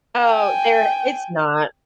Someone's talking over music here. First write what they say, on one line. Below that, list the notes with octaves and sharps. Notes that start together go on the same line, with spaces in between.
Oh, there it's not.
G5 G#5